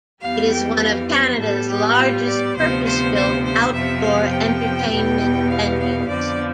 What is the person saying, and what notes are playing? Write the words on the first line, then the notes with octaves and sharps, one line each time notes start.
It is one of Canada's largest purpose-built outdoor entertainment venues.
F2 E3 G3 B3 F5
G5
F5
C5
A2 G3 B3 A4
G4
F4
D5
D2 C3 F3 B3 C5
C5
C5
C5
F2 C3 F3 B3 E5
F5
G5
E2 B2 G3 B3
F5
F5
F2 D3 F3 B3 D5